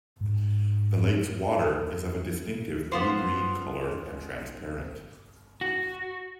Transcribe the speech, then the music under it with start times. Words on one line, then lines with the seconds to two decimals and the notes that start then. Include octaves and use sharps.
The lake's water is of a distinctive blue-green colour and transparent.
0.21 G#2
2.92 B3 F4 C5
5.61 F#4